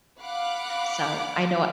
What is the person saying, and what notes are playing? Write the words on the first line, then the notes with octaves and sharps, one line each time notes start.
so I know
F5 F#5 B5 D6 F#6